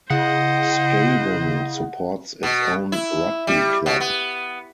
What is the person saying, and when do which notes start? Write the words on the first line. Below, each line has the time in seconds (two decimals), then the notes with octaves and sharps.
Skewen supports its own rugby club.
0.10 C#3 E4 C5 D#5 F#5
2.43 B2
2.92 E4
3.47 G3
3.86 B2
4.00 B3